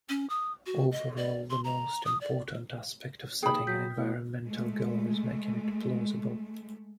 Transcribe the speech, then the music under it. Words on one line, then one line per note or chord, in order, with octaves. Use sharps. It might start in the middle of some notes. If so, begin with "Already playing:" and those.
Overall, the most important aspect of setting an environmental goal is making it plausible.
C#4
D#6
F#4
D#5
D5
C6
A#5
D#6
D5
D#2 G#4 G5 B5 D#6
F#3 G6 B6
A2
G#3 A3